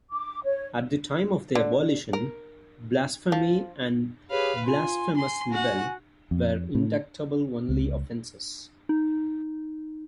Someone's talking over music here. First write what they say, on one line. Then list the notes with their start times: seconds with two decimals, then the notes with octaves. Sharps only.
At the time of their abolition, blasphemy and blasphemous libel were indictable-only offences.
0.11 D6
0.44 C#5
1.55 D3
2.13 A#4
3.32 F3
4.30 G4 G#4 B4 C#5 F5
4.65 F4 G#5 C6
5.17 G#5 C6
5.51 F#4 F#5
6.31 F2
6.75 A2
7.69 C#2
8.89 D#4